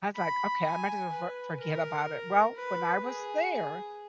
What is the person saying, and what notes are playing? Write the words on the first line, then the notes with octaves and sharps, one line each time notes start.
I was like, "Okay, I might as well for forget about it." Well, when I was there,
B5
G#5
B4
A#4
B4
G#4